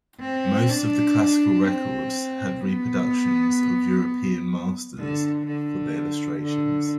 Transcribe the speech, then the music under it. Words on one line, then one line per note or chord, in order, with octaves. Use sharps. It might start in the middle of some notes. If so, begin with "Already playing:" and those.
Most of the classical records had reproductions of European masters for the illustrations.
C4
D4
C4
B3
D3
D3
D3